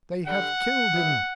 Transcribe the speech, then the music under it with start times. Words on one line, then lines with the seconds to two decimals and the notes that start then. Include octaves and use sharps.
They have killed him!
0.25 G2 D3 G3 F#5
0.92 G2 F#3 B3 E4